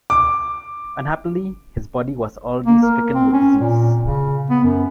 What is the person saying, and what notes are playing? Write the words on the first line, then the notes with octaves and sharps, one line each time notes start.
Unhappily, his body was already stricken with disease.
D6
A#3
A#4
C4
C#4
A#2
C#3
B3
F#2